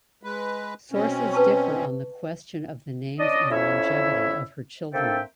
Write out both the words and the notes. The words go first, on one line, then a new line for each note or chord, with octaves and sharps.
Sources differ on the question of the names and longevity of her children.
G#3 B4
B2 C4 C#4
B4 A5 C#6
C#4 D4 D5 D#5
F2 C#4 E4 E5
A#3 C4 D4 A4 E5 G5